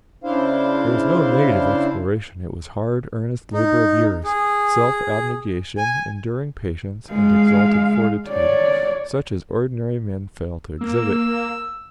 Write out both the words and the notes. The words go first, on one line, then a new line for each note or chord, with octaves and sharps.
It was no negative exploration, it was hard, earnest labor of years, self-abnegation, enduring patience, and exalted fortitude, such as ordinary men fail to exhibit.
C#3 D4 E4 C5 F5
D#4
G#4
G#5
G#3 F5
C#5 D5
A#3 E6